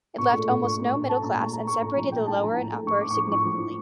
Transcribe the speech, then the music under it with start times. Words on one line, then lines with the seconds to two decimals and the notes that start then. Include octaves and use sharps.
It left almost no middle class and separated the lower and upper significantly.
0.18 A#2 C#6
0.33 A3
0.49 A#2
0.64 A#2 C#6
0.78 A3
0.86 C#6
0.94 A3
1.08 A#2 A5
1.22 A#2 A#5
1.38 A3 C#6
1.53 A3 A#5
1.67 A3 C#6
1.82 A#2 A#5
1.97 F3 A#5
2.12 A3 G5
2.27 A2 A5
2.42 F3 A#5
2.56 A2
2.72 A3
2.86 A2 C#6
3.01 A2 D6
3.11 C#6
3.17 F3 D6
3.31 A2 C#6
3.45 F3
3.61 A2